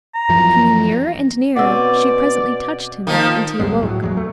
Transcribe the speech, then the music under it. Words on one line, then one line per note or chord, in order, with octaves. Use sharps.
Coming nearer and nearer she presently touched him and he awoke.
A#5
F#2 E3 F3
B2 C4 C#4 D5 F#5 E6
D#3 F3 A#3 D#4
C#2 F#2 A#2 G#3
A2 F#3
E2 E3 F#3 G#3
A3